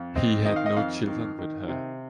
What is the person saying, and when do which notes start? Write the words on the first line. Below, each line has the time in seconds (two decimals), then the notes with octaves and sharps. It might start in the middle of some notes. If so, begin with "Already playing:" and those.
He had no children with her.
Already playing: F2
0.16 C4 D#5
0.45 D#3 D#5
0.56 F5
0.66 D#5
0.77 F2 F5
1.07 D#3
1.39 D#3
1.68 C3